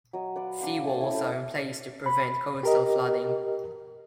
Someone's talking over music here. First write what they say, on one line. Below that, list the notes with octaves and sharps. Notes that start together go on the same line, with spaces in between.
Sea walls are in place to prevent coastal flooding.
F#3 D#5
B4 D5 F#5
D4 F5
A3 C#4 A5
C#4 E4
A4 G5
B5
G4 A#4 D#5